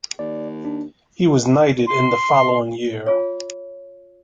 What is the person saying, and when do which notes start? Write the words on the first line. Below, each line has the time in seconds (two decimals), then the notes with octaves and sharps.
He was knighted in the following year.
0.19 D#2 D5
0.65 D4
1.87 C6
3.06 F4 G#4 C#5